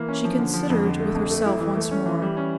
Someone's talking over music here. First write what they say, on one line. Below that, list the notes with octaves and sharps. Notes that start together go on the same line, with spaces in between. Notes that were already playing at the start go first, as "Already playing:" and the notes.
She considered with herself once more.
Already playing: E3 A#3
C#4
F3
D3
F3
F2
D3
A3
F2
A3
E4
E3
A3
C#4
E3
G3
C#4